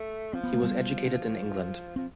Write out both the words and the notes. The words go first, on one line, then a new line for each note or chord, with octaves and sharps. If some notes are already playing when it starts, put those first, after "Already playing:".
He was educated in England.
Already playing: A3
F3 C4
B3
A3
G3 B3
F3 C4